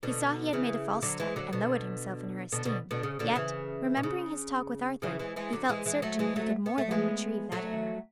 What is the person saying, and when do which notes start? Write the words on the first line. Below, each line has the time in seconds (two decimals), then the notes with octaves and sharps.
He saw he had made a false step and lowered himself in her esteem, yet, remembering his talk with Arthur, he felt certain he could more than retrieve that error.
0.03 B2 D3
0.53 C#3 E3
1.02 D3 F#3
1.20 E3 G#3
1.36 D3 F#3
1.53 B2 D3
2.52 B2 D3
2.65 B2 D3
2.91 B2 D3
3.03 C#3
3.19 B2 D3
3.35 C#3 E3
3.97 B2
4.03 C#3
5.02 C#3 E3
5.19 E3 G#3
5.36 E3 G#3
5.53 D3 F#3
5.69 E3 G#3
5.86 E3 G#3
6.02 F#3 A3
6.19 E3 G#3
6.36 F#3 A3
6.66 B3
6.78 A3
6.91 G#3 B3
7.52 F#3 A3